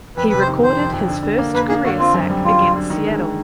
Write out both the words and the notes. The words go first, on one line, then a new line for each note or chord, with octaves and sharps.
He recorded his first career sack against Seattle.
F2 B4
C3 B4
C5
D#3
C3 C5
F2
F2
D3
D3
A#3
A#3 B4
A#3 G#4
D3 F#4
C4 F4
F#2
G3
G3 F4
D3
D3
D#3
G#3
D#3